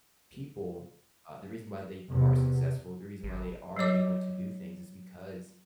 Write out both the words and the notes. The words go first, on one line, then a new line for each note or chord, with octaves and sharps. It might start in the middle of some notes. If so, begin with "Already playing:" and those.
people. Uh, the reason why they are successful, the reason why they are able to do things is because,
E2 C3
G#1
F#3 G3 C#5 D6